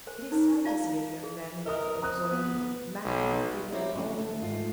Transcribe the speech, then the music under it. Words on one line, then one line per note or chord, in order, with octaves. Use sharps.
It is sad to see a young man love absorbingly, madly, giving up all for love.
A#4 C5 G#5
D4 D#4 A#4 B4 C#5
F4 D5 F5 A5 A#5
G#4
A#4 D#5 D#6
C4 A#5 D#6 F#6
B3
B1
C4 E4 G4 A#4 C5 C#5
D3 E3 F#3 A3 B3 C#4
D2 A3
G#2 F4